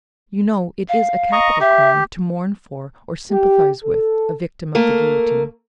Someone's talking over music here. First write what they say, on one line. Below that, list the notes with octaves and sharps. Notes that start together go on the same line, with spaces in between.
You know it is a capital crime, to mourn for, or sympathise with, a victim of the Guillotine.
F5
D#5 A#5 C#6
G4 E5
G4
A4
A3 A#3 A#4